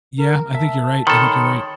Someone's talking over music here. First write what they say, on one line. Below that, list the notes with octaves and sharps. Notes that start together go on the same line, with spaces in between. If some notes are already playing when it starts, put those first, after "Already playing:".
Yeah, I think you're right, I think you're right.
A#4
E5 A5
D#3 A4 C#5 B5 C6